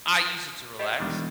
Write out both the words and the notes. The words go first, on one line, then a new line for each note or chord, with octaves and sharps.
I use it to relax.
G4 C5 C#5 D#5
E1 D#3 G3 D4